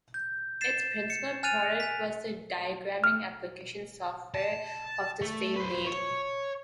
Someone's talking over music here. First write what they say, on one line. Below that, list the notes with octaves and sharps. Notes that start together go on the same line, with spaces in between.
Its principal product was a diagramming application software of the same name.
G6
A6 C7 E7
C#7
G#5 F6 F#6 A6 D#7 F7
G#5 B6
F6
A5
A3
B4 C5
C#5